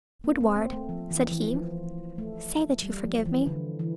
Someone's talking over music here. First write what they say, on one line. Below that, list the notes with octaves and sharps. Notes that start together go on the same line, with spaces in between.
Woodward,' said he, 'say that you forgive me.'
A#3
C4
C4
A3
F3
E3
E3
F3
A3
G3
F3
E3
D3
E3